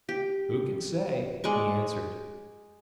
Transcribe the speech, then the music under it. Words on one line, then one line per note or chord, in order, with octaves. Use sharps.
"Who can say?" he answered.
G4
G#3 D5 C#6